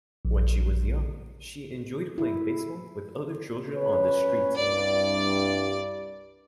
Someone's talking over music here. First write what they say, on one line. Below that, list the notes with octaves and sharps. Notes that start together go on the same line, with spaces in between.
When she was young, she enjoyed playing baseball with other children on the street.
A#1
E4
C#4 B4 C#5
C2 G2 D5